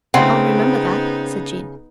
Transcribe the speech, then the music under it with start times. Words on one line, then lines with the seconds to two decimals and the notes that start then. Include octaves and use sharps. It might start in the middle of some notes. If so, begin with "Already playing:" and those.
"I'll remember that," said Jean.
0.14 C#3 A3 B3 C4 D#4 F4 F#5